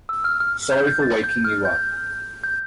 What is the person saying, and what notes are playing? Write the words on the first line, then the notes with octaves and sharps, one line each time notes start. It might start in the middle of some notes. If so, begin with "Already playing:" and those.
Sorry for waking you up.
E6
F6
F6
G6
G6
A6
G6
F6
G6
G6